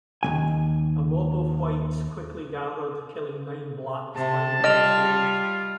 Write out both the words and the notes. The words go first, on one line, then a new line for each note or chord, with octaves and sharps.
A mob of whites quickly gathered, killing nine blacks by the next day.
D#2 F#3 G#5
C3 A5
G3 F4 D#5 F6 D7 F7